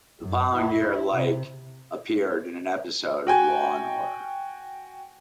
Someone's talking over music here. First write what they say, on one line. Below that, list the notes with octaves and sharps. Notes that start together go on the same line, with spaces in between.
The following year, Leick appeared in an episode of "Law and Order".
F#2
E4
C3
F#4 G5 G#5